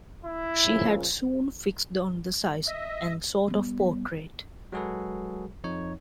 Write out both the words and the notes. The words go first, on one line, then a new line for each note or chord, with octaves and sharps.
She had soon fixed on the size and sort of portrait.
E4
A#2 C#3 F3
D#5 E5
G3 B3
F#3 G#3 F#4 G#4 A4 B4
F2 D#4 C#5